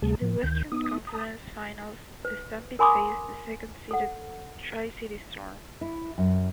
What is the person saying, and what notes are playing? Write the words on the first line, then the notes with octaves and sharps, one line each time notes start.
In the Western Conference Finals, the Stampede faced the second seeded Tri-City Storm.
D2 C3 G3 A3 G#4 A5
A2 F3
D2 D#3 G6
B3 D#4 D#6
A5 A#5 D#6
B4
A#4 G#5 B5 C6 D6 D#6
A4 F#5
E4
F#2